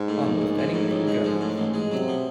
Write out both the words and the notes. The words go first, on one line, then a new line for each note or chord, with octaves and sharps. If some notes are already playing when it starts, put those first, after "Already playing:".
Almost Anything Goes!
Already playing: G#2
A2
A#1
A#1
F3
A2
A1
G#3
F3
A2
A1
G#3
C3 F#3
B2